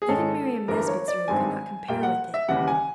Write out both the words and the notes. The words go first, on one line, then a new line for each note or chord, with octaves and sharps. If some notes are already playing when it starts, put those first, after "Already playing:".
Even Miriam Nesbit's room could not compare with it.
G#4
G#2 D#3 G#3 C#4 A4
G1 G2 E3 A#4
C#5
D5
G#1 G2 D#3 G#3 C4 G#5
A#2 G3 A#3 G5
F#5
E5
D#2 C#3 E3 G3 F#5
G#5